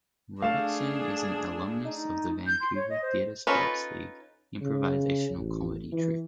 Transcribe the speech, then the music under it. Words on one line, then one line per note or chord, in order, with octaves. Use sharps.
Robertson is an alumnus of the Vancouver TheatreSports League improvisational comedy troupe.
A3 D4 G#4 A4 F5 E7
D#4
G6
C6
C#5
D#5
C5
C#4 D#4 F4 A4 B4
C#3
A1
E3